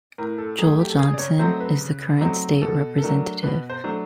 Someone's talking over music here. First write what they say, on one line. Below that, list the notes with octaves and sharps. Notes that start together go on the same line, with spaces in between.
Joel Johnson is the current State Representative.
A2 A#4
A4
F#3 A3 G#4
G4
A4
C#3 G#4
D5
C#5
F#3 A3 C4 D#4 C5
B4
C#3
F#3 A3 C4 D#4
B2 A4
A4
F#3 A3 D4 A#4
B2 B4
C5
F#3 A3 D4